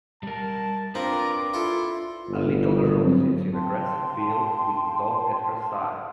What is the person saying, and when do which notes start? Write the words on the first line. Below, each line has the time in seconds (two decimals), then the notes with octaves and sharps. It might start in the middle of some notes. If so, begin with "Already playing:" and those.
A little girl sits in a grassy field with a doll at her side.
0.23 G3 A#4 A5
0.95 C4 D4 F4 A#4 B4 A#5 D6
1.54 E4 F4 A4 C6
2.29 G1
3.01 G#2 F#3 C4
3.53 F5 G5 A5 C6